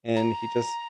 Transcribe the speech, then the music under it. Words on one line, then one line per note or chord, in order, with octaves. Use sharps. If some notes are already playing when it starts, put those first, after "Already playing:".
and he just
A#5